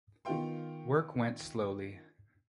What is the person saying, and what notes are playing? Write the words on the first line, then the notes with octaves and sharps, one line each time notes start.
Work went slowly.
D#3 B3 F4 F5 G5 C6